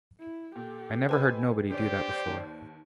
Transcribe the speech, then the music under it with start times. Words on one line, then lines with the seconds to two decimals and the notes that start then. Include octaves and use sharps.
I never heard nobody do that before.
0.20 E4
0.56 A#2 G4 A4
1.09 B4 C5 D#5 G#5 B5 E6
1.70 D3 C#4 G4 C5 D5
2.26 D#2 D#3